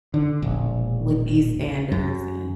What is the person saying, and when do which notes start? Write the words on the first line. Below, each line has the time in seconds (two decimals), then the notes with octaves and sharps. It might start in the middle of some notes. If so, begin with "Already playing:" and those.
with these standards and
0.14 D3
0.42 E1 A#1
1.92 F#2